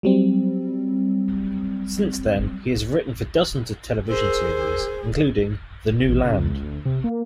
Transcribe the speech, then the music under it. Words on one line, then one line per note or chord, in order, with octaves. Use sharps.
Since then, he has written for dozens of television series, including "The New Land".
F#3 G3 C4
G#4 A#4 C5 E6
A1
C#3
C#2
D2
C3
A#3